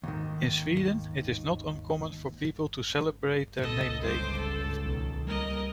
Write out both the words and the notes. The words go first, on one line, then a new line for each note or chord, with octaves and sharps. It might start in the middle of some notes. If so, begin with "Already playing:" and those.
In Sweden, it is not uncommon for people to celebrate their name day.
D#2 G#2 D#3
C#2 A#2 B3 A4 D#5
G1 G2 C5 D6
A4
B1 B2 D#3
G3 A#3 A#4 D#5